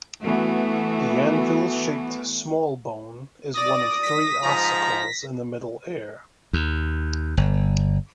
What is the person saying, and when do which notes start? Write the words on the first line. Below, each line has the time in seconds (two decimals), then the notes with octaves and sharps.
The anvil-shaped small bone is one of three ossicles in the middle ear.
0.24 E3 A3 B3 F#4
3.55 D5 D#6 A#6
4.03 A#6 B6
4.44 G#2 F3 A#5
6.53 D#2
7.37 G1